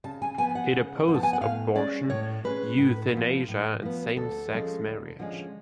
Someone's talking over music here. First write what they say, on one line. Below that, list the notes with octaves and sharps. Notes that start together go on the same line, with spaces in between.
It opposed abortion, euthanasia and same-sex marriage.
C#3 A5
G#5
F3 B3 G#5
F#5
C#3
F3 B3
A5
G#5
F#5
A2 F5
G#3 C#4 D5
A2 C#5
G#3 C#4 B4
A2
F3 B3
A2
F3 B3
D2 A4
D3 F3 G#3 C#4
D2
D3 F3 G#3 C#4